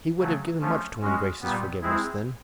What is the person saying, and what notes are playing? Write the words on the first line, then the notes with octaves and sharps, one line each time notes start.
He would have given much to win Grace's forgiveness then.
C#3 F#3 A3
F3 A3 C#4
G#3 C#4 F#4
A#2 G3 B3
G#3 C4 E4 G#4